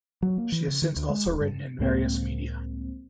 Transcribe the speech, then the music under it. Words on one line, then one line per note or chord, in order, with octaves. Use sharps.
She has since also written in various media.
F#3
A#3
E3
C#3
D#3
D2
G#3
D#1
G2
C#2 A2 G#3 A#3 C4